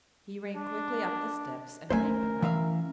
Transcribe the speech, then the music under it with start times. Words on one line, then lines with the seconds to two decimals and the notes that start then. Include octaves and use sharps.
He ran quickly up the steps and rang the bell.
0.56 D4
1.90 A3 C#4 A#4 C5 E5 G#5
2.42 E3 E5 F5